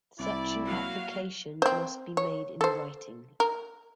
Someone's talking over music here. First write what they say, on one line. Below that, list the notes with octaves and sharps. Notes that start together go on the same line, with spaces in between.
Such an application must be made in writing.
C2 E4 D5
F#3 A#3 F#4 F5
C4 C5
C#5
A4 C5
A#4